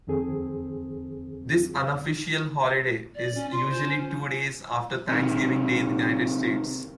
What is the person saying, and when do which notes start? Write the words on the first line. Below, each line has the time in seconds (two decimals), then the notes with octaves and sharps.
This unofficial holiday is usually two days after Thanksgiving Day in the United States.
0.07 F2 D#3 C4 G#4 A4
3.14 D5
3.34 C#4
3.51 F4
3.69 C5
3.85 C#4
5.09 C3 D#3